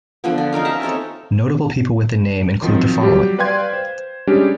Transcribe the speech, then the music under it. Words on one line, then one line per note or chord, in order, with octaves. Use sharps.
Notable people with the name include the following.
D3 F3 B3
D4
C#4 D#4 A#4 F5
E5 A5 A#5
C4 D#4 A4 C#5
D#3 F3 F#3 C4
F#3 G3 G4
B4 D5 F5 G5 C6 G#6
C5
G3 G#3 C#4 D4 G4